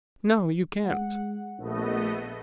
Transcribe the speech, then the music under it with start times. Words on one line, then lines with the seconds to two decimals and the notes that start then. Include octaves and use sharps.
"No, you can't."
0.85 G#3 F#5
1.59 A#1 A3 B3 D#5